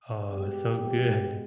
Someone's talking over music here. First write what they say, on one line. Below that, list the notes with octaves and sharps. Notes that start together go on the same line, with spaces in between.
Oh, so good.
B2 G#3 B3 G4
A#2 F3 G#3 B3
B2 G#3